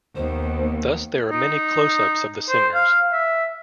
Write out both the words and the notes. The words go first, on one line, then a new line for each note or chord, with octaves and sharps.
Thus, there are many close-ups of the singers.
D#2 B3 C5
D#4
C5
F5
E5